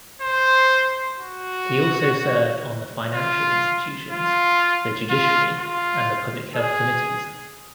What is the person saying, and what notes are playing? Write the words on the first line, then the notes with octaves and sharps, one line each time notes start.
He also served on the Financial Institutions, the Judiciary and the Public Health Committees.
C5
F#4
F4
F4
F4
F4
G#4